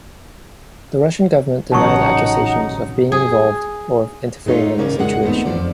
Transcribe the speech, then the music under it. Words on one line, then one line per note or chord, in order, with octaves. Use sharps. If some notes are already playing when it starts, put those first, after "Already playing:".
The Russian government denied accusations of being involved or of interfering in the situation.
A1 C#3 F#3 D#4 F#5 A5 C#6
G#4
G#3 A3 D#4 F4 C#5
G#2 C#3 C#4 A#4 D5
E2 G#2 G#3 F#4 F#5
A3 B3 C4 D#4
F2 C#3 F3 D5